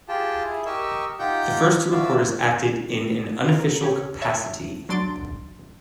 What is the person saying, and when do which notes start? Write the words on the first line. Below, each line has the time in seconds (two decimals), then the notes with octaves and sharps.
The first two reporters acted in an unofficial capacity.
0.08 F4 G4 G#4 G5 A5
0.44 E4 G#4
0.66 G4 A#4 D#5 C#6 E6
1.19 D#4 F4 G4 F#5 G5 G6
1.91 F#4 D5 E5 F5 E6
3.45 F4 A#5
3.82 G4 C#5
4.22 C#5 E5 A5
4.89 F#3 D4 C6 A6 D7